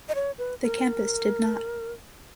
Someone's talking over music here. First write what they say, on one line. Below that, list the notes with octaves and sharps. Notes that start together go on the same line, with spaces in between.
The campus did not.
D#5
C#5
B4
A#4